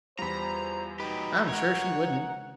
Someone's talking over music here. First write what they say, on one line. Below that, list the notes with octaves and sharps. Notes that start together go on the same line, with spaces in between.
"I'm sure she wouldn't."
E2 G3 F4 C5 A#5 B5
F#3 D#4 G4 B4 G5
G#3 A#4 C#5 F#5